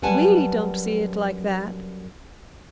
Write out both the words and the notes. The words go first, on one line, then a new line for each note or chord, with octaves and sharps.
We don't see it like that.
F#2 G3 B4 F#5 G#5 A5